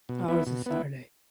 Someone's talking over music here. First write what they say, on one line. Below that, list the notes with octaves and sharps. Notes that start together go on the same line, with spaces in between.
Ours is Saturday.
B2
B3 E4
B2
B3 E4